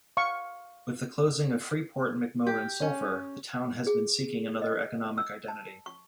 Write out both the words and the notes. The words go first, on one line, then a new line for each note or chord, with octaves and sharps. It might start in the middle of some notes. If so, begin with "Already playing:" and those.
With the closing of Freeport-McMoRan Sulphur, the town has been seeking another economic identity.
F5 C#6
G4
C#4
G#4
D#5
E6
A5
C#6